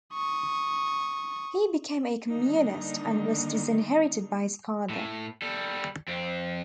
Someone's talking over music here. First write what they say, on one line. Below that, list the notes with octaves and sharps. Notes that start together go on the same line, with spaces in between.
He became a Communist and was disinherited by his father.
C#6 D#6
D3 D#3 G3 A#3 D4 D#4
A2
G3 A4
F2 C4